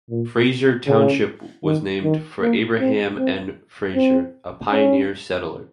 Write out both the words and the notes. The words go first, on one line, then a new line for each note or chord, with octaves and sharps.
Fraser Township was named for Abraham N. Fraser, a pioneer settler.
A#2
C#3
D#3
D#3
A#3
C4
C4
C4
C#4